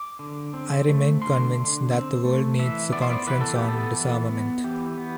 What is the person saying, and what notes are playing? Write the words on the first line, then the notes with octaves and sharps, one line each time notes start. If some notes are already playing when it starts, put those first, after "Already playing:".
I remain convinced that the world needs a Conference on Disarmament.
Already playing: D6
D3
C4
A3
D3 C6
D3
C4
A3
E3 E5
B3 D5
C5
D5
E3 B4
A4
G4
B3
A4
E3
B3
E3 G4
B3